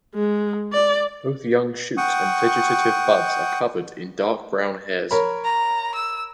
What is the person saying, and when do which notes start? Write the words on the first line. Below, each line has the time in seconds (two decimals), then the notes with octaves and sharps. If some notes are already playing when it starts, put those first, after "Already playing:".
Both young shoots and vegetative buds are covered in dark brown hairs.
0.15 G#3
0.72 D5
1.97 F#5 G5 C#6 D#6
5.11 A#4 C#5 B5
5.44 A#5
5.95 E6